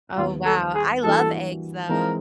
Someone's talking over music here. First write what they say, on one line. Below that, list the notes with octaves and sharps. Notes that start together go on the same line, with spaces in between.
Oh, wow, I love eggs, though.
D#2 D#3 G3 B3 F4
A4
G#4
E3 G3 A#3 D4 F#4 A4
E3 G#3 C4 D#4 A#4